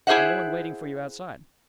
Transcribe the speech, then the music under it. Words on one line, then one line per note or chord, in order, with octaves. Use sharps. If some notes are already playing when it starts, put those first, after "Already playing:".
"And no one waiting for you outside?"
E4 G#4 C5 E5 F#5